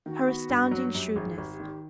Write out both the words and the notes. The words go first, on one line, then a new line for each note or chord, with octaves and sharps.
Her astounding shrewdness!
D#3 F#4
B3
G2
F#3
F#2 G4
G#1 G#4
G#1 G4
G4
D#3
G4